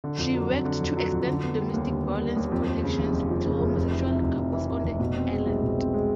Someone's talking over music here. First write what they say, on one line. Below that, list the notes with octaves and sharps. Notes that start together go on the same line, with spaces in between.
She worked to extend domestic violence protections to homosexual couples on the island.
D3
F2
F#3
F2
D3
F2
F#3
F2
D3
B3
G3
D#2
D3
B3
G3
D#2
F2
F3
C#3
F1
F2
F3
C#3
F1
F2
E3
C3
F1
F2
E3
C3
F1
B2
C4
G#3
C2
B2
C4
G#3